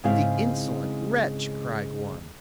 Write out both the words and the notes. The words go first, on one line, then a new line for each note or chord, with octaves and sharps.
"The insolent wretch!" cried one.
G#2 C#3 C4 E4 F5